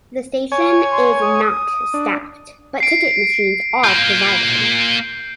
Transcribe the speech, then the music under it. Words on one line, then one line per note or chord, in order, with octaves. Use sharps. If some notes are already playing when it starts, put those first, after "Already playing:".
The station is not staffed, but ticket machines are provided.
C#5 G#5
C6
D#6
D4
C7 D7
A#3 F4 G6